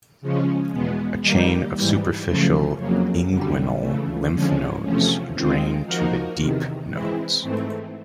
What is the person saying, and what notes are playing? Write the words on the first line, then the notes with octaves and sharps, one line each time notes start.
A chain of superficial inguinal lymph nodes drain to the deep nodes.
C#3 F3 G#3 C#4
E2 B2 G#3 B3
D#3 G3 A#3 D#4 G4
G#2 E3 G3
F#2 C#3 F3 A3
F2 C#3 F#3 A#3
F#2 D3 G3
C#3 E3 A3
F2 D3 F3 G#3 C#4
E2 C3 F3 A3 C#4
D#3 G#3 C4 F4
F3 A#3 D#4 F#4 A#4
E2 C3 D#3
E3 G#3 C4 E4
G#2 E3 A3 C4